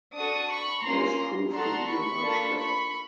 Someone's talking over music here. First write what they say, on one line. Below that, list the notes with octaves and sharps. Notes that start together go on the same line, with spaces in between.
This proved to be a much better plan.
D4 F#4 A4 C#6 D#6
B5 C#6
A#3 C#4 F4 A#5 C6
D4 F#4 A4 A#5 C6
B5 C#6
A#3 D4 F4 A4
B5 C#6